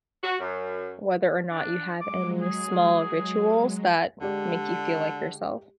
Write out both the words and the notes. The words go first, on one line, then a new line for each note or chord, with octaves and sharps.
whether or not you have any small rituals that make you feel like yourself.
F#4
F#2
D4
F#3 G#3 D6
G#4
D3 G#3 G4 D5